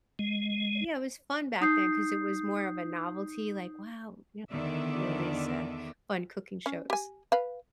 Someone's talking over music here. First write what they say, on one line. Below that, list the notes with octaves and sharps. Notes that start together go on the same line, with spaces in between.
yeah, it was fun back, then 'cause it was more of a novelty, like, "Wow," you know how much you know these, uh, fun cooking shows.
G#3
D#4 D#6 G6 C7
E2 D3 D#3 D5 E5
C#4
G4 G#5
B4 F5